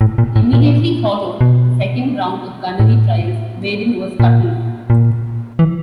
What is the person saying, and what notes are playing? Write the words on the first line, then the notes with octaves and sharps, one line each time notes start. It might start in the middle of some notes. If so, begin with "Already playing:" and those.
Immediately following the second round of gunnery trials, "Baden" was scuttled.
A2
A#2
A2
A#2
B2
A2
A#2
A#2
E3